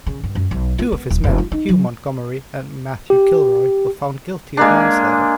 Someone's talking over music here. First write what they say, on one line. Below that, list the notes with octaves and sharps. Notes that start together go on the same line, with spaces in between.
Two of his men, Hugh Montgomery and Matthew Kilroy, were found guilty of manslaughter.
C#3
G2
F#2
B1
F4
B3
D1
F1
F4
D#4
F#3
G4
G#3 A#3 D4